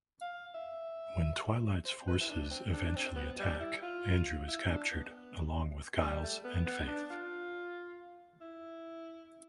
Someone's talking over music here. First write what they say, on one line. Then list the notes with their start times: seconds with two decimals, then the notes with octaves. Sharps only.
When Twilight's forces eventually attack, Andrew is captured along with Giles and Faith.
0.21 F5
0.55 E5
1.85 C5
2.08 B4
2.21 E4
2.30 D4
2.51 C4
2.73 D4
2.88 D4
2.95 C4
3.16 B3
3.39 G3
3.60 E4
3.83 F4
4.48 E4
4.69 D4
4.92 B3
6.01 G3
6.23 A3
6.44 B3
6.66 B3
6.88 D4
7.10 F4
8.41 E4